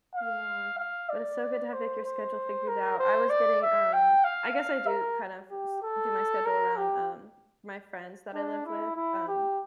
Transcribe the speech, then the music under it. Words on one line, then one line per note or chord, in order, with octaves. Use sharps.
Yeah. But it's so good to have, like, your schedule figured out. I was getting, um, I guess I do kind of s do my schedule around, um, my friends that I live with, um,
F5
F5
D5
C5
C5
A#4
C5
D5
E5
G5
F5
F5
A#4
G4
A4
A#4
G4
D4
E4
E4
G4